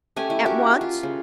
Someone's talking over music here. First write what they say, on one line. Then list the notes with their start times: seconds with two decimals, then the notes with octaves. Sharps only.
At once!
0.16 A3 C#4 G4 G#5
0.30 E4
0.45 F#4 G4 A#4
0.81 F4
1.03 C#3